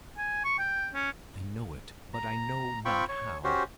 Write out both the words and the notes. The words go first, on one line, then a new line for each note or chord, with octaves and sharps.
I know it, but I know not how.
G#5
C#6
G5
C#4
A#5
C4 F4 G5 B5 C#6
C#5
C#4 F#4 G4 C5